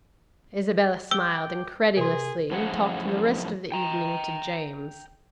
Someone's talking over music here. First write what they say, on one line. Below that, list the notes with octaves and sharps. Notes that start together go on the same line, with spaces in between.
Isabella smiled incredulously and talked the rest of the evening to James.
G5 D6 E6 G7
C3 G#4 A#4 C6
F#2 A2 F3 G#4 F#5
G5 A#5